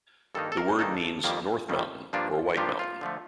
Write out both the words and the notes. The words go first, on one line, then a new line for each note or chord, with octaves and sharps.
The word means "north mountain" or "white mountain".
G2 D#3 A#3 D#4 A4
A4
A#4
G2 D#3 A#3 D#4 A4
F2 D#3 G3 A#3
F2 D#3 G3 A#3
G2 F3 A#3 D4 F4
G2 F3 A#3 D4 F4 G4
F4
D3 F3 A3